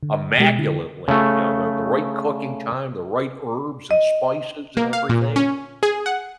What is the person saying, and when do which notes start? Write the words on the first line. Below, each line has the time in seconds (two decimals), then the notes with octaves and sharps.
immaculately, you know, the the right cooking time, the right herbs and spices and everything,
0.03 D3
0.38 B2 G#3 G4
0.58 D3 E4
1.08 C#3 A3
3.91 D#5
4.77 A#3
4.93 F5
5.09 A#2
5.36 C#4
5.83 G#4
6.06 F#5